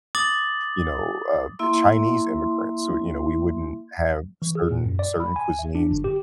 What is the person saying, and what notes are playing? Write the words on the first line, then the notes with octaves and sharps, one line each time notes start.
you know, uh, Chinese immigrants, who, you know, we wouldn't have certain certain cuisines,
D6 D#6 A6 F#7
A#3 E4 E5 C6
E3
G#4
A#2
F#2
D5
B5
G#5
E5
D4
G1
G4